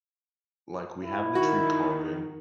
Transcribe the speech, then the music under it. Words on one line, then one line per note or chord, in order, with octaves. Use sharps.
like, we have the tree carving.
E4
D#3 F#4